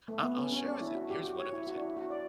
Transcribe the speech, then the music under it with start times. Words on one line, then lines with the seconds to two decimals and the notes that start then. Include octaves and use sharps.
I'll I'll share with ya, here's one other tip,
0.08 A3
0.23 B3
0.38 C#4
0.52 C#4
0.66 D4
0.81 E4
0.95 F#4
1.10 G4
1.23 F#4
1.39 C#5
1.53 E4
1.67 F#4
1.76 D4
1.82 E4
1.97 F#4
2.10 D5